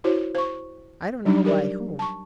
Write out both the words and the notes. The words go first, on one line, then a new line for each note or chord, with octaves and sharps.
I don't know by whom.
E4 F#4 C5 C#5
C5 C#6
F#3 G3 D4 D#4
G4 A#4 D5
A5 C#6